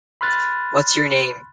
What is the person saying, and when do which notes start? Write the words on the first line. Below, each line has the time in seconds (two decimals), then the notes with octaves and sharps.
What's Your Name?
0.21 B5 C6 F6 F#6 A6